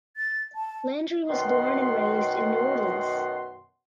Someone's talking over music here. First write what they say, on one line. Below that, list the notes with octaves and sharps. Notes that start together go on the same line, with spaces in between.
Landry was born and raised in New Orleans.
A6
A5
F#2 B2 D#3 F#5 C6